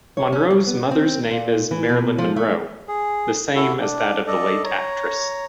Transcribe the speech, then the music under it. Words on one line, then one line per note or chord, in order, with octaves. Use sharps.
Monroe's mother's name is Marilyn Monroe, the same as that of the late actress.
C#5
C#4
F#3
B3
C4
A#2
E3
B2
F3
A3
G#4
E4 F#4 A4
D4
A4 D5 D#5
C#5 A#5